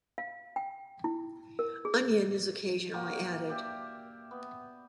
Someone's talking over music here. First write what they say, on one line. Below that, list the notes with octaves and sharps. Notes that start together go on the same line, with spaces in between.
Onion is occasionally added.
F5
G5
E4
A#4
G#4
F#3 A#3 G5
A#3 G4 D5 E5
B3